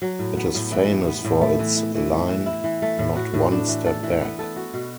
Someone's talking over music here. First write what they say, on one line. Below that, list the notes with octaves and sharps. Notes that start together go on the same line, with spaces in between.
It is famous for its line Not one step back!
F#3
A2
B3
A2
E3
A2
B3
A2
A3
E3
E4
E3
A3
E3
E4
E3
A3
A2
F#4
A2
D4
E3
A4
E3
B3
A4
F#4
B2